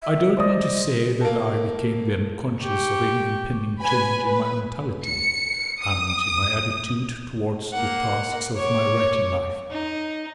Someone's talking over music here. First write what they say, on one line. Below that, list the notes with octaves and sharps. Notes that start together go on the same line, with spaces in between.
I don't mean to say that I became then conscious of any impending change in my mentality and in my attitude towards the tasks of my writing life.
E5
C5 D5 D#5 D#6
A#3 A4
G4 C#6
B4 G#5 B5
B4
C#7
D#6
A#3 F#5
C#5 D6
D#4